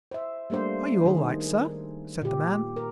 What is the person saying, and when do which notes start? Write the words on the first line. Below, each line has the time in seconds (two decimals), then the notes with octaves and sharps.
"Are you all right, sir?" said the man.
0.11 C5 E5
0.50 G3 A3 A#3 D4 C5
1.06 D#3 G#4
2.22 A#2 G4
2.76 A#4